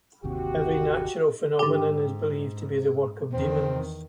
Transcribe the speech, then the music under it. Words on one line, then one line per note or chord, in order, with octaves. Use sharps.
Every natural phenomenon is believed to be the work of demons.
G1 D#2 C3 F#4 G4
G#2 D3 G4
E2 D#3 C4